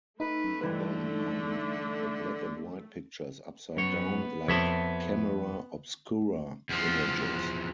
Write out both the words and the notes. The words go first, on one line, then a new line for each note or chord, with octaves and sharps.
He then hung the black-and-white pictures upside down, like camera obscura images.
A3 D#4 B4
G2 D3 E3 B4
F#2 B3 C#5
F2 C#5 E5 A5
E2 F3